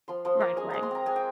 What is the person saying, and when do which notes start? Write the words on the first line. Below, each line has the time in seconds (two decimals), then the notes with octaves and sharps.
right away.
0.08 F3 C6
0.25 F3 C6
0.41 A#3 A#5
0.57 G#3 G#5
0.70 G#3 A#5
0.83 C6
0.91 C4 A#5
1.06 G#3 G#5
1.16 G5